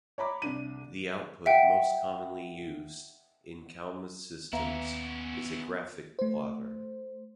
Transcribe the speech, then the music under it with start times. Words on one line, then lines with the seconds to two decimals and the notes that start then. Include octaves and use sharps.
The output most commonly used in Calma's systems is a graphic plotter.
0.18 C#5 A#5 B5 D6
0.42 C2 D4 D#7
1.46 E5 F#5 G5
4.53 D#2 B3 C#4 E4 E5 F5 A#5
6.19 A3 C5